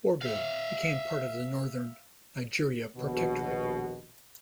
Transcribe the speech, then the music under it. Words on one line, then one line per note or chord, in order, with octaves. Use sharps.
Borgu became part of the Northern Nigeria Protectorate.
E5 F5
A#1 D#2 B2